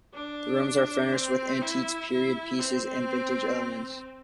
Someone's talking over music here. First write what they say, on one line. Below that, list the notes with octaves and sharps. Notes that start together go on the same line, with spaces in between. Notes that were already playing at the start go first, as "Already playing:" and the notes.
The rooms are furnished with antiques, period pieces, and vintage elements.
D4
C4
E4
E4
C4